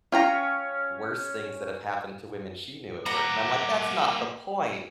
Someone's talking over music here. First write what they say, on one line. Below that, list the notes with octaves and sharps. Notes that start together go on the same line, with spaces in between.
worse things that have happened to women she knew at work, and I'm like, "That's not the point."
C#4 F4 C#5 G5 A#5
A#3 F#5 A#5 D6